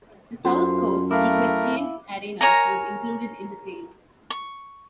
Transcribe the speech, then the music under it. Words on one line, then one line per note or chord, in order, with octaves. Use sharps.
The South Coast Equestrian Arena was included in the sale.
F#2 F4 F#4 A4 C5 C6
A3 E4 A#4 F5 D6
A#4 C#5 G#5 A#5
C#6